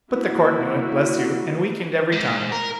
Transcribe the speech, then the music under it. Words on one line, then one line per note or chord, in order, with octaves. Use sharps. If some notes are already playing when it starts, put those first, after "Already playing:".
But the court knew it, bless you, and weakened every time!
A#3 E4 F#4
G#2
A#4